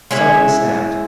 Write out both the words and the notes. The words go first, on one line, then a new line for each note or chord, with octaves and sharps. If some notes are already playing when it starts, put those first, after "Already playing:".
Something snapped.
G#3 E4 C#5 E5